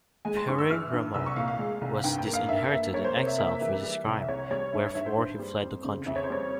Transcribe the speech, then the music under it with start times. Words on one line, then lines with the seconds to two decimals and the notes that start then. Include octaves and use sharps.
Pere-Ramon was disinherited and exiled for his crime wherefore he fled the country.
0.25 G#3 G#5
0.37 C6
0.48 G2 C#6
0.58 E6
0.70 E3 F6
0.93 G2
1.14 C2 E6
1.26 C#6
1.36 A#2 F5
1.48 F5
1.59 G#3
1.81 C2
2.04 G2 G5
2.18 G5
2.27 A#3
2.33 F5
2.49 G2 E5
2.71 A#3
2.94 A#3 C#5
3.04 C5
3.15 C3 C#5
3.27 E5
3.38 A#3 E5
3.61 E3
3.82 G3
4.06 C2
4.20 E5
4.28 C2 C#5
4.51 G3 C#5
4.73 G2 E5
4.84 C#5
4.95 G2 E5
5.06 C5
5.17 G2
5.39 G3
5.62 F2
5.84 C#3
6.06 F2 E5
6.16 C#5
6.23 C5
6.30 G3 C#5